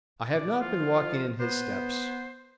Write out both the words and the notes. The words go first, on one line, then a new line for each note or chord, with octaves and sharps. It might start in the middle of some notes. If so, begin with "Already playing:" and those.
I have not been walking in His steps.
B2 D5
E3 F3 F4
B3 C5